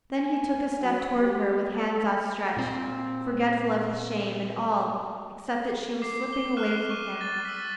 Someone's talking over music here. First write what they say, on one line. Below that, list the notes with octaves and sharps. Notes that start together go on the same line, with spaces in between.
Then he took a step toward her with hands outstretched, forgetful of his shame, and all, except that she was slipping away from him.
G#5
F#3
G4
A4
A#2 C4
D6 C7
D6 G7
C#6 F6 F#6 C7 E7
C#6 D#7
A6
E6 B6